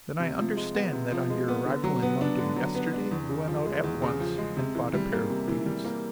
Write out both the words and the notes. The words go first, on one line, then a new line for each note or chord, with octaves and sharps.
"Then I understand that on your arrival in London yesterday you went out at once and bought a pair of boots?"
C3
F3
G#3
B3
C3
F3
G#3
B3
D3
F#3
B3
D4
D3
F#3
B3
D4
E2
C#3
F3
G#3
E2
C#3
F3
G#3
C3
E3
G3
A#3
C3
E3
G3
A#3